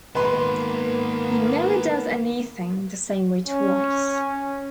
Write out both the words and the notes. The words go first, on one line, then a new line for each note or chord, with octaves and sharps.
He never does anything the same way twice.
D#3 G#3 A#3 B3 B4 C6
C#4